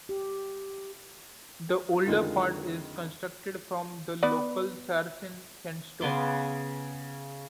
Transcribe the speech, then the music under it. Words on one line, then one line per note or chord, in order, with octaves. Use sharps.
The older part is constructed from the local sarsen sandstone.
G4
F2 D3 D#3 G#3 F4
B3 B4 D5
C#3 B3 C6 D6